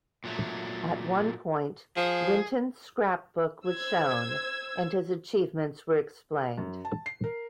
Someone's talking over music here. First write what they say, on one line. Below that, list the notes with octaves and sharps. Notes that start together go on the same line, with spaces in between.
At one point, Winton's scrapbook was shown and his achievements were explained.
A#2 F#3 A3
F3 G#4
C5 E6 G#6
F#2
A5
C7
A#4